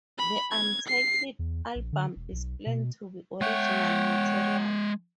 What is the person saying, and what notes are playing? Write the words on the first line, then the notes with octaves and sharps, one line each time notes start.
The untitled album is planned to be original material.
B5
G#6
C7
E2
A#1
D3
E1
B1
B2
G#3 C#5 E5 F#5 G5